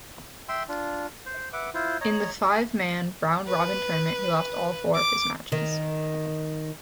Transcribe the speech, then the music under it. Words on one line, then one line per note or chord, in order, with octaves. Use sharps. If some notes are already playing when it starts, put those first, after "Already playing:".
In the five-man, round-robin tournament, he lost all four of his matches.
E5 G5 C6 E6
D4 F4
C5
B4 E5 F#5 D6
E4 F4 C5
C#5 D#5 A#5
B4
D6
D#3